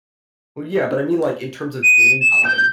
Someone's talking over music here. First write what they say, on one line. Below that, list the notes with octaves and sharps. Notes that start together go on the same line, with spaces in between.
Well yeah, but I mean, like, in terms of game time,
D#7
E7
G6